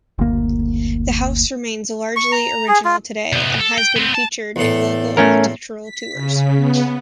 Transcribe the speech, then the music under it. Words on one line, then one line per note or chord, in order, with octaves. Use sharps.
The house remains largely original today and has been featured in local architectural tours.
F#1 D2 A#3
C#6
A#5
G#4
F4
C3 B3
A4
G5
B3 C4
A5
E2 A2 A4
A3 C#4 A#4
B6
C#3
B3